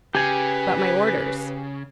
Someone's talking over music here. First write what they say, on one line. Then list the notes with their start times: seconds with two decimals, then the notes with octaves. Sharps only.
"But my orders."
0.15 C#3 G4 B4 G#5